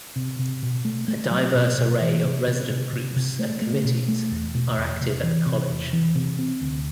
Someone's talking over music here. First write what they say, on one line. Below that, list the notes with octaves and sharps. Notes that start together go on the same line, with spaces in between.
A diverse array of resident groups and committees are active at the college.
C3
C3
B2
A3
A3
F#3
B2
B2
E3
C3
C3
C3
C3
C3
A3
A3
B2
A3
E2
B2
E1
C3
E3
C3
E1
E3
C3
C4
D2